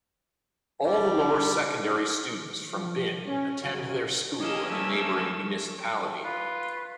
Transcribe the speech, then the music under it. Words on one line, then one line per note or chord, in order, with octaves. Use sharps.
All the lower secondary students from Binn attend their school in a neighboring municipality.
G3
F3
C#4
F#2 C#3 F#3
A#3 C#4 D#5 E6
A3 E6
F4 B4